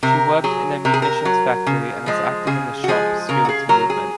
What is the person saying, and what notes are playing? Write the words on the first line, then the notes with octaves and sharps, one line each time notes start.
She worked in a munitions factory and was active in the shop stewards movement.
C3 A#4
F#3 G#4
C3 A#4
G#4
A#4
F#3
C#3
F3 G#3
C#3 G#4
F#4
F3 G#3 G#4
C#3 A#4
F#4
G#4
F#3 A#4
G#4